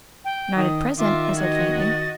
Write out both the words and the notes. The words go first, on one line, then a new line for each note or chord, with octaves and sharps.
"Not at present," I said faintly.
G5
D#3 D#6
D#3 F4 E5 D6
F#4 D#5 G#6
A6